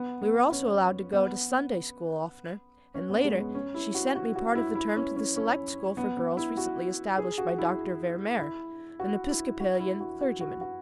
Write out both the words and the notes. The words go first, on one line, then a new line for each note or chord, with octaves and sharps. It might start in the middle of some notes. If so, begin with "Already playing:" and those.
We were also allowed to go to Sunday school oftener, and later, she sent me part of the term to the select school for girls recently established by Dr. Ver Mehr, an Episcopalian clergyman.
Already playing: B3
B3
C#4
B3
C#4
B3
G#3
B3
C#4
E4
F#4
F#4
F#4
E4
E4
C#4
C#4
C#4
B3
B3
E4
F#4
G#4
F#4
E4
E4
F#4
E4
F#4
E4
F#4
F#4
F#4
F#4